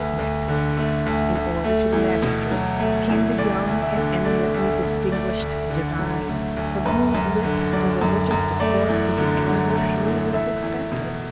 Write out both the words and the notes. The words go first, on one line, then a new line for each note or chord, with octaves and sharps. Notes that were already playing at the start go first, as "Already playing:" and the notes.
Next in order to the magistrates came the young and eminently distinguished divine, from whose lips the religious discourse of the anniversary was expected.
Already playing: D2 B4
D2
D3
A3
D2
D2
A3
E2
B2
F#3
A3
E2
D2 D5
D2
E5
D3
A3 D5
D2
D2
A3 D5
D2
D3
F#3
A3
D2
F#2 B4
F#2
D3
F#3 D5
F#2
F#2
A3 D5
E2
D3
F#3
A3
E2
E2 E5
E2
B2